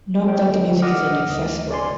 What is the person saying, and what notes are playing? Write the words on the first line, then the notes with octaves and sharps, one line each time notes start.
Not that the music is inaccessible.
G4 A4 C#5 D#5 G5
D3
D#5 F#5 D6 D#6 F6
D2
D5 G#5 C6